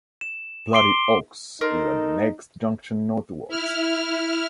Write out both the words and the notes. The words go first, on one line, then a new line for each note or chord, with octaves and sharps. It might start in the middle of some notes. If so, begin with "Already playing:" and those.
Bloody Oaks is at the next junction northwards.
E7
C6 D6 C7 D7 G7
D#4 A4 A#4 C5
E4 F6